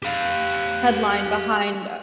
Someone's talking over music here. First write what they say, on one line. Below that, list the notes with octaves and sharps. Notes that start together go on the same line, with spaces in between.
headline behind
G4 F5